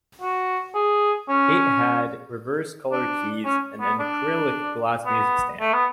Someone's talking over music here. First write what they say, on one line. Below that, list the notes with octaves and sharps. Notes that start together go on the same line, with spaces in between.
It had reverse-colour keys and an acrylic glass music stand.
F#4
G#4
C#4
D4
C#4
B3
D4
B3
A3
B3